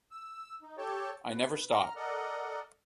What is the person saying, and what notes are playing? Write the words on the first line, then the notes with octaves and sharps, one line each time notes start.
I never stop.
E6
D#4
G4 A4 C#5 G5 A5
B2 B4
A#5 F6
A4 A#4 D5 D#5 F#5